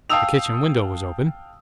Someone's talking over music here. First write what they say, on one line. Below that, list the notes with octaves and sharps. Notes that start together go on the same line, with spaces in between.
The kitchen window was open.
F5 G5 A5 D#6 E6 F7